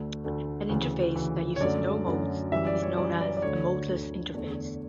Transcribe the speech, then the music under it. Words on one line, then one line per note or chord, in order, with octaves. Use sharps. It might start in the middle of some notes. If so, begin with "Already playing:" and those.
An interface that uses no modes is known as a modeless interface.
Already playing: D2 D3 A3
D2 D3 A3
D2 C#3 E3
D2 C#3 E3
C#5
F#2 D3 F#3 A3 D5
F#2 D3 F#3 A3
F#2 E3 G3 E5
D5
C#5
F#2 E3 G3 D5
D5
D5
D2 D3 A3 C#5
D2 D3 A3
E2 D3 A3